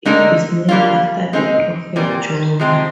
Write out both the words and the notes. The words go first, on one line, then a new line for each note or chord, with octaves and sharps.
It is named after the prophet Jonah.
D3 G#3 D#4 A#4
D3 G3 A#3 F4
G#3 C4 D#4 G#4
A#2 G3 C4 G4
C3 F3 G#3 C4